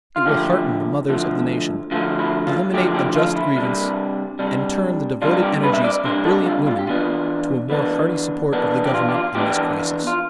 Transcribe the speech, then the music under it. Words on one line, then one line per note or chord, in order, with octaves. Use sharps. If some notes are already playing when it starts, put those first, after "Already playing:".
It will hearten the mothers of the nation, eliminate a just grievance, and turn the devoted energies of brilliant women to a more hearty support of the Government in this crisis.
F4
D3 F3 A3 G4
D3 F3 A3
D3 F3 A3 F4
E4
F4
D3 F3 A3 G4
G4
F4
E4
C3 G3 D4
C3 G3 D4
C3 G3 D4 F4
G4
B4
E5
D5
C3 G3 D4 C5
A4
F4
F4
G4
E3 B3 D4 F4
E3 B3 D4
E3 B3 D4
G4
F4
G4
F4
E3 B3 D4 G4
F4